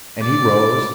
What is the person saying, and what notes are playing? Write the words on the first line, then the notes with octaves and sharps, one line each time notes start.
And he rose.
D5